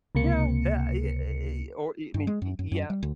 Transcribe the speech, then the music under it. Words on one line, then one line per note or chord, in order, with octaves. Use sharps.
Yeah, yeah, I yea eh eh or e mean y yeah,
C#2 C3 A#3 C#7
G2
G#3
F#2
F#2
F#2
G3
D2